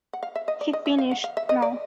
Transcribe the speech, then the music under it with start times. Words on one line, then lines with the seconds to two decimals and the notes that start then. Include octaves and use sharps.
He finished no.
0.13 F#5
0.23 F5
0.36 E5
0.48 D#5
0.61 D5
0.73 D#5
0.86 E5
0.98 F5
1.11 F#5
1.24 F5
1.37 E5
1.49 D#5
1.62 D5